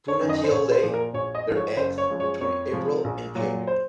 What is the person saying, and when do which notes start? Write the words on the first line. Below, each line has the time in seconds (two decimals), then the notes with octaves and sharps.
Puna teal lay their eggs between April and June.
0.08 C#5
0.20 F#2 D#3
0.29 D#5
0.44 C5
0.51 A#1 C#5
0.71 C5
0.82 A#2 F3
0.94 A#4
1.14 A#1 C#5
1.35 D#5
1.46 G#2 F3
1.56 C#5
1.77 F#1 C5
1.98 C#5
2.09 F#2 F3 G#3
2.20 C#5
2.41 F2 C#5
2.71 C3 F3 G#3
3.04 A#1
3.35 A#2 F#3
3.67 C5